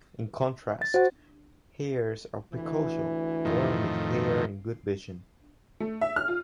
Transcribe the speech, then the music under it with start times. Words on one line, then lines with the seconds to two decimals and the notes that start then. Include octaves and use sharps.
In contrast, hares are precocial, born with hair and good vision.
0.82 A6
0.94 F#4 C5 F#5
2.53 D2 E3
3.45 F2 A2 D#3
5.80 A3
6.01 E5
6.16 F6
6.28 F4